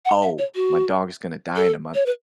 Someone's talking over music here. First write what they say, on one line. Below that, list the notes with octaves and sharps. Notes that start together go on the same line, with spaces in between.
"Oh, my dog is gonna die in a month."
F#5
E5
C#5
F#4
A4
C#5
B4